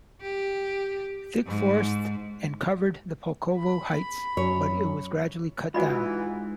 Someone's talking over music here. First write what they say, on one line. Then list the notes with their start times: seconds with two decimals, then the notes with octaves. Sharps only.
Thick forest and covered the Pulkovo heights, but it was gradually cut down.
0.22 G4
1.47 G#2
3.59 B5
4.37 F#2 C#5
5.74 G#2 E3 F4 F#4 D#5 B5